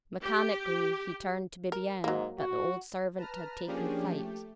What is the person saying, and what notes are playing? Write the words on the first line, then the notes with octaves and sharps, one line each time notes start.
Mechanically, he turned to Bibiaine, but the old servant had taken flight.
G4
A#4
G#2 F#3 A#3
F#4
B4 A5 A#5 F6
F3 A#3 C#4 D4 G4 G#4
A3 G4